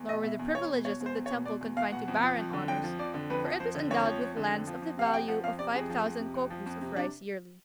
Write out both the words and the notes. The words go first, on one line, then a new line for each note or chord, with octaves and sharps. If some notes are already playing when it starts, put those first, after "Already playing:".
Nor were the privileges of the temple confined to barren honours, for it was endowed with lands of the value of five thousand kokus of rice yearly.
Already playing: E2
B2 D#5
B2 E5
E2
E2 C#5
B2
B2 C#5
E2
C5
E2
C#5
B2
B2 D5
E2
E2 F5
B2 F#5
F2
F3
F2
D3
F2 G5
F3
F2 D5
D3
F2 B4
F3
F2 C5
D3
F2 C#5
F3
F2
D3
F2
F3
F2
C3 F5
F#5
F2 G5
F3 F#5
F2 F5
C3 D5
F2 G#4
F3
F2
C3
F2
F3
F2
C3
D4